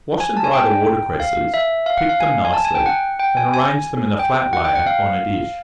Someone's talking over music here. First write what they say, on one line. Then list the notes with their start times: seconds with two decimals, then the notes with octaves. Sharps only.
Wash and dry the water-cresses, pick them nicely, and arrange them in a flat layer on a dish.
0.20 G#5
0.37 A5
0.44 G#5
0.54 G5
1.20 F5
1.54 E5
1.86 F5
1.97 F#5
2.09 F5
2.20 G#5
2.45 G#5
2.53 A5
2.65 G#5
2.75 G5
2.86 F#5
3.20 G5
3.37 G#5
3.54 G#5
4.19 G5
4.53 F#5
4.65 G5
4.75 F#5
4.87 F5